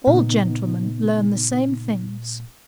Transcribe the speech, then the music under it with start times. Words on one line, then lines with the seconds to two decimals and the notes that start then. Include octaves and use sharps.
"All gentlemen learn the same things."
0.07 A#2 C#3 B3 D#4